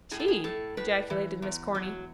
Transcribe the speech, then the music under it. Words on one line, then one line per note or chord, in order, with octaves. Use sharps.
"Tea!" ejaculated Miss Corny.
A2 G#4
A4
G#4
A2 A4
A2 B4
E3
E2
F#3